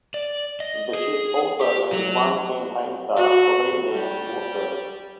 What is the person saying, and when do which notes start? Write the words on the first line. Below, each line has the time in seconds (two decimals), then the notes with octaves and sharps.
The ship also earned one campaign star for Vietnam War service.
0.14 D5
0.60 D#5
0.95 G#4
1.61 G4
1.93 F#3
3.16 F#4
3.92 G3